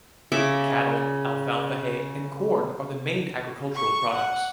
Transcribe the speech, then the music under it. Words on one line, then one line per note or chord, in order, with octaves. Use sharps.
Cattle, alfalfa hay and corn are the main agriculture products.
C#3 E5 D6
C#6
F#5